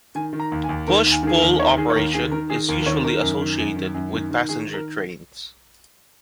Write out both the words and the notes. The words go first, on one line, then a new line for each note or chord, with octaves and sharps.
Push-pull operation is usually associated with passenger trains.
D#3 G#5
D#3
A#5
D#2
G#5
D#2
D#3 A#4
D#2
G#5
D#3 G#4
A#4
D#2
D#3 C#5
D#3 G#4
C#5
D#2 A#4
D#3 G#4
D#3 A#4
D#3 G#4
D#2 A#4
A#4
D#3 C#5
D#3 A#4
F#2
D#3
F#2
D#3
F#2
D#3
D#3
D#3 G#4
D#3
A#4